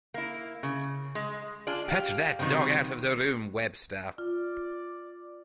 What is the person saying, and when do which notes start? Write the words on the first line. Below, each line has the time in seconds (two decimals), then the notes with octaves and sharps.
Put that dog out of the room, Webster.
0.14 A#3 E4
0.63 C#3
1.15 G#3
1.67 D4 F4 G#4 D5
1.88 G4 F5
2.39 C3 D#3 F#3 G3 B3 C4
4.18 F4 D5